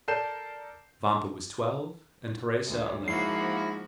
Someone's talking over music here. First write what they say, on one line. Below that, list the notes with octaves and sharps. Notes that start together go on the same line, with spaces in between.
Vampa was twelve, and Teresa eleven.
A4 A#4 D5 G6 C7 E7
D2
G#2 F3 A#3 E4 F#4 C7